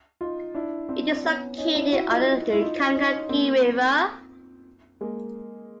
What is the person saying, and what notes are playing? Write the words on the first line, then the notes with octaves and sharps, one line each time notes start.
It is located on the Kankakee River.
D#4 F4
D4 E4
C4 D4
D4
B3 C#4
C#4 D#4
D4 E4
E4 F#4
D#4 F4
E4
D#4 F4
C#4 D#4
A#3 C4
G#3 A#3